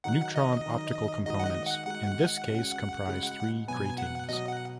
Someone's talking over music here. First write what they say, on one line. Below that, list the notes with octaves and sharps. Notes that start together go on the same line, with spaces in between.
Neutron-optical components in this case comprise three gratings.
D#3 F#3 D#4 F#5
D#5
D#3 F#3 D#4
D#3 G#3 D#4 F#4 D#5
F#5
D#5
F#5
D#3 G#3 D#4 F#4 F#5
C#3 G#3 C#4 F#4
C#3 G#3 C#4 F#4
B2 F#3 B3 G#5
F#5
B2 F#3 B3 D#5
F#5